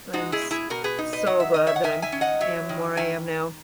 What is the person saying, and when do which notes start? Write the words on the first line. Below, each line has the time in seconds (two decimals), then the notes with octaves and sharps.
I'm s so glad that I'm am where I am now.
0.13 G#3 D#4 F#4
0.32 E4 G#4
0.42 B2
0.51 E4 G#4
0.70 B2 F#4 A#4
0.84 G#4 B4
0.98 D#4
1.13 B4 D#5
1.26 F#3 F#5
1.40 E5
1.54 D#3 D#5
1.67 C#5 E5
1.76 F#5
1.83 D#3 E5 G#5
2.02 E5 G#5
2.12 C#4
2.21 D#5 F#5
2.41 F#3 C#5 E5
2.69 D#3
2.97 D#3 E5 G#5